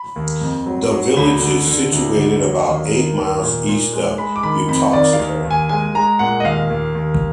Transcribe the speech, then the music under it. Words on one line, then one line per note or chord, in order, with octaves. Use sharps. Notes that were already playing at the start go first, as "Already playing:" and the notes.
The village is situated about eight miles east of Uttoxeter.
Already playing: B5
D#2
F2
F#3
F#3
D2 B5
D3
D3
D2
D3
F#3
D#2
D#3
D#2
A#2
A#2
G#3
G#3 B5
D6
D#3 B5
F2 B5
D#3 D5
F5
D#2
D#2
G#5
G#3 G#5
G#3 A#5
A#2 F#5
D#5
D#2 F5
D#2
D#2